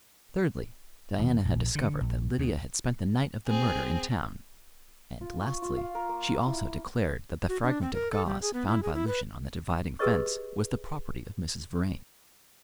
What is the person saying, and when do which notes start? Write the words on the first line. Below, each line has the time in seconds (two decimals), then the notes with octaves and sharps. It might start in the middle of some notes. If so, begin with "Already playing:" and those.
Thirdly, Diana had discovered that Lydia had spent the night of the murder in town; and, lastly, she also declared that the fragment of gauze found by Lucian on the dividing fence was the property of Mrs. Vrain.
1.19 D#1
1.45 A#1
1.75 D3
2.01 A#1
2.38 D2
3.47 C4 G#4
5.21 F4
5.40 C#6
5.62 F4
5.76 F5
5.95 A#4
6.09 A#3
6.47 E4
7.49 F#4
7.63 D4
7.82 C4
7.94 A#4
8.11 A4
8.26 G3
8.42 G#4
8.54 B3
8.67 E4
8.83 G#4
8.94 E4
9.07 B4
9.99 G4 G#4 A#4 B4 D#5 C#6